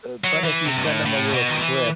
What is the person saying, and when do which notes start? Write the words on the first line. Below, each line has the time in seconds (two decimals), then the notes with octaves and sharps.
uh, but, if you send them a little clip,
0.24 F#3
0.44 E3
0.65 C3
0.77 G2
0.85 A2
1.06 A2
1.33 B2
1.49 D#3
1.60 E3